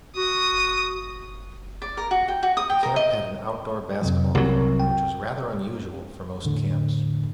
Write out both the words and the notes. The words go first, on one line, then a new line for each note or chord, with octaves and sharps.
The camp had an outdoor basketball court, which was rather unusual for most camps.
F#4 D#6
D5
A#4
F#4
G5
F#4
D#6
G5
A#4
D#5
F2 C3 F#3
C2 F#3 C4 A#4
G5
E2 A2 D3